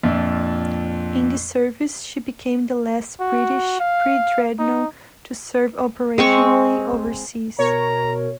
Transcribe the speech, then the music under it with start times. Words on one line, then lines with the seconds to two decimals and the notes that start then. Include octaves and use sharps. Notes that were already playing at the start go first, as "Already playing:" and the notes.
In this service she became the last British pre-dreadnought to serve operationally overseas.
0.03 F2 A#2 D4 E5
3.20 F#4
3.80 F5
4.59 D#4
6.18 G#3 C4 C#6
7.59 B2 A#4 C#5 A#5